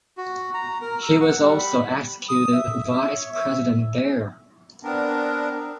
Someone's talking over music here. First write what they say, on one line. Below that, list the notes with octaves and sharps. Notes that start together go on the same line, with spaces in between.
He was also executive vice president there.
F#4
A#5
A#4
E6
F#5
G3
B5
D#6
E5
E5
C#5
E5
B3 C4 D4 A#4